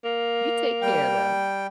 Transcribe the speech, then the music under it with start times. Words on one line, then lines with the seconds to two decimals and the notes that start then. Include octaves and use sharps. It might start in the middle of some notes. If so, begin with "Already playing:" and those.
you take care though.
0.05 A#3
0.82 G3 G5